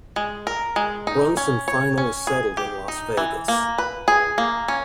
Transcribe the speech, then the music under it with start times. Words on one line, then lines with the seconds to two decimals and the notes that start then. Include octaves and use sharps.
Brunson finally settled in Las Vegas.
0.16 G#3
0.47 A#4
0.76 G#3
1.07 D#4
1.37 C#4
1.68 C#5
1.98 C#4
2.27 G#4
2.57 G4
2.88 D#4
3.17 E3
3.48 A#3
3.78 B4
4.08 G#4
4.38 A#3
4.68 C#4